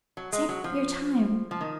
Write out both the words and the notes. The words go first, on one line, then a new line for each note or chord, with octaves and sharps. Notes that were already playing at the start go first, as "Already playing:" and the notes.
Take your time.
F#3
G#3
F#3
F3
F3
D#3